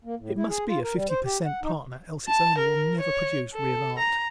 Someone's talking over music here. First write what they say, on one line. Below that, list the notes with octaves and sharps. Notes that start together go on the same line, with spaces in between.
It must be a fifty per cent partner, else its owner will never produce real art.
A#3
A2
E4
G#4
F4
A#4
G3
C5
G4
F#5
D#4
A5
A#4
C#5
A4
A#5